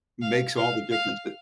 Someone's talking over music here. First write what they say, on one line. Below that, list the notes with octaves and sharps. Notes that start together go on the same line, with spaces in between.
makes all the difference that
F5
F5
F5